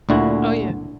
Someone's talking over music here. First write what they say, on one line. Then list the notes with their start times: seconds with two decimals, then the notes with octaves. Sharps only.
Oh, yeah.
0.09 D2 A#2 D3 E4 F#4